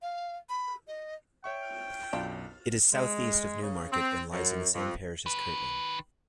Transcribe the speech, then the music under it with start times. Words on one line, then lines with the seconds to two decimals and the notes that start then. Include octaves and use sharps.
It is south-east of Newmarket and lies in the same parish as Kirtling.
0.02 F5
0.49 B5
0.87 D#5
1.44 C#5 E5 G5 C#6
2.13 B1 F#2 D4 F4
2.93 G#3
3.62 C#3
3.91 C4
4.32 F#2
4.74 F2
5.26 D#3 B4